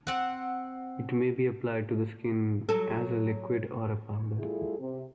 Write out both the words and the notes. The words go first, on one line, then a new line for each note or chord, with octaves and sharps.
It may be applied to the skin as a liquid or a powder.
C4 F#5
F#3 A4
G3 A3 E4 F4 G#4 A4
C3